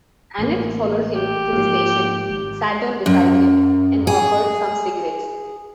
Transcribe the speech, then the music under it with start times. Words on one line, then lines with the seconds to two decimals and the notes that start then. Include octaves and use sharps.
Annett followed him to the station, sat down beside him, and offered some cigarettes.
0.39 A1 A#3
1.13 G4
1.53 G#2 F3 A#3
2.30 G#1
3.06 F#2
4.07 G#4